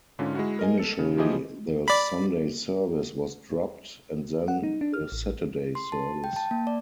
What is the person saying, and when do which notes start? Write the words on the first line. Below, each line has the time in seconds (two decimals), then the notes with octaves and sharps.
Initially, the Sunday service was dropped, and then the Saturday service.
0.19 G#2 D3 C#4 F4
0.35 G#3 E4 F#4
0.59 A#4 D#5 G#5
0.78 A4 C#7
0.99 C#3
1.17 E3 F3 E4 G4 G#4 D#5
1.88 D5 B5
4.48 F#5
4.63 D#4
4.81 D4
4.94 F6
5.12 A1
5.75 C6
5.92 A5
6.24 G5
6.36 A5
6.51 A#3
6.67 D5